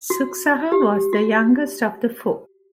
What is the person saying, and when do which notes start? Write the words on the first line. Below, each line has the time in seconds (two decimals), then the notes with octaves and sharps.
Suksaha was the youngest of the four.
0.10 F#4
0.72 G4
1.13 F#4